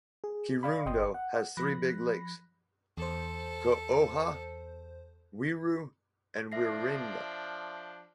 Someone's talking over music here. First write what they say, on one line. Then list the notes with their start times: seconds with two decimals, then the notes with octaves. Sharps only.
Kirundo has three big lakes: Cohoha, Rweru, and Rwihinda.
0.24 G#4
0.63 D5 F5 B5
0.86 G1 D#5 G5 C6 D#6
1.14 F#5
1.57 F3 B5 F#6 A#6
2.97 E2 A4 C5
6.52 F3 D4 E5 A#6 C7